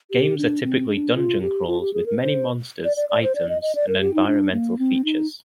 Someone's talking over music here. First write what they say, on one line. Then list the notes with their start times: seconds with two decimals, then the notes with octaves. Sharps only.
Games are typically dungeon crawls, with many monsters, items, and environmental features.
0.11 G4
0.38 D4
0.63 C4
0.89 D4
1.15 F4
1.42 G4
1.67 F4
1.81 G4
1.93 G#4
2.06 A#4
2.19 C5
2.84 D5
2.97 D5
3.09 D5
3.23 C5
3.35 D5
3.49 D#5
3.62 D#5
3.75 D5
3.88 A#4
4.00 G4
4.14 D#4
4.27 D4
4.52 A#3
4.79 C4
5.05 D#4